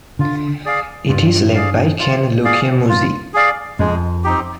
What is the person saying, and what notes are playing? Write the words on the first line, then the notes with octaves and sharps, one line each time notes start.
It is led by Ken Lukyamuzi.
D3 F4
G#4 D5 F5
G2 F4
G#4 D5 F5
F4
G#4 D5 F5
F4
G#4 D5 F5
F2 G#3
C4 D#4 G4